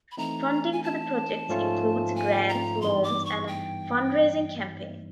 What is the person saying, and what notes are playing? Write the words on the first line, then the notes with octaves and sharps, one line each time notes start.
Funding for the projects includes grants, loans, and a fundraising campaign.
B5
E3 A3 C4 D#4 A#5
G#5
A5
G#2 F3 A3 C#4 F4
G#5
A#5
G2 E3 G3 B3 D#4 C6
D6
C#6
G5